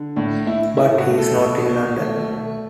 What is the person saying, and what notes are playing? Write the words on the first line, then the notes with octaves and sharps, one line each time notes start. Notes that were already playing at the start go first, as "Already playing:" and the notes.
But he's not in London?
Already playing: D3
A2 D4
A2 E4
A3 E4
F#4
A3
A4
B2
B2
A3
A3